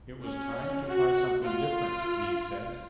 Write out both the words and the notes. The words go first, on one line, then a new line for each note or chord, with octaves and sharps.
It was "time to try something different," Lee said.
C#4
F#4
F4